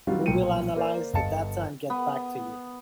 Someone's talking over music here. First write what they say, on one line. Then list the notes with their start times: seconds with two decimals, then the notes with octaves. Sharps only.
We will analyze the data and get back to you.
0.07 D#3 F#3 G3 C4 F4 F#4
0.26 B1 A#2 G5 C#7 D#7
0.76 A#3 A#4 C5 D5
1.13 G1 D#5 F5 A5 C#7
1.90 B3